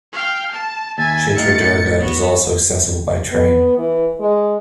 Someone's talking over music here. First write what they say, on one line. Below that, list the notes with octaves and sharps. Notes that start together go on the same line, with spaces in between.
Chitradurga is also accessible by train.
F5 G5
A5
D#2 E5 G#5 A6
A2 D#4 F5 C#7
B3 F#4
B3
E3
G#3